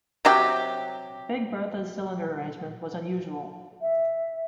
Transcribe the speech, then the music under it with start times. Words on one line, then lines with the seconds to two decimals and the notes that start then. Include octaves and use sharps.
Big Bertha's cylinder arrangement was unusual.
0.25 C3 F#3 G4
3.81 E5